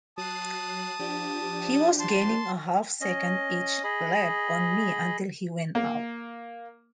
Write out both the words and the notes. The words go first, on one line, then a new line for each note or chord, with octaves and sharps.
He was gaining a half-second each lap on me until he went out.
F#3 A5 D#6 F#6 C7
F3 D4 G4
A5 C6
C#4 D#5
G#4 D#5 B5
A#3